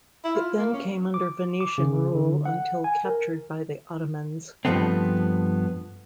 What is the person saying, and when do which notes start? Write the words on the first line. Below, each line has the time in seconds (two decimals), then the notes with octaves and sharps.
It then came under Venetian rule until captured by the Ottomans.
0.24 E4
0.36 F4
0.58 A#3
0.73 C#4
1.14 D6
1.61 D6
1.78 C#3
2.15 D3
2.45 F#5
2.84 G#5
3.05 A#4
4.65 G2 A#2 F3 A3 B3 C4